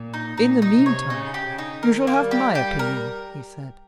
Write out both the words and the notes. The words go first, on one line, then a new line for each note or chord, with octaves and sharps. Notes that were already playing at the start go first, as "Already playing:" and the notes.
"In the meantime, you shall have my opinion," he said.
Already playing: A#2
D#4
A#2 D#4
D#4
C3
C#5
C#3 D#4
G4
C#3
D#4
D#3 A#4
A#3
G3
G4
G3 G4
A#4